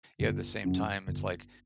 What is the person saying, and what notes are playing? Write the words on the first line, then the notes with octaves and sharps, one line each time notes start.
yeah, at the same time, it's like,
G1
F#2 C#3
G1